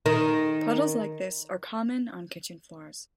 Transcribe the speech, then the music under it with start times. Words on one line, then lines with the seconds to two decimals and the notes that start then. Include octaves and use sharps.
Puddles like this are common on kitchen floors.
0.06 D#3